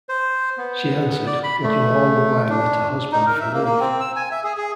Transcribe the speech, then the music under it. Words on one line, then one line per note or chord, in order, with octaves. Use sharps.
She answered, looking all the while at her husband for leave.
C5
B3
D5
B5
A3
D4
D#4
A#4
E5
A#3
A#3
C4
E6
G#5
E5
G#4
G#4